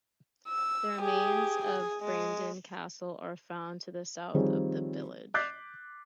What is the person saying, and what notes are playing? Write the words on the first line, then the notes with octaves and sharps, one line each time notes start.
The remains of Brandon Castle are found to the south of the village.
E6
G4 G#4
G#4
G#3
D#3 F3 G3 C4 G#4 C#5
D6 F#6 G6 A6 B6 C7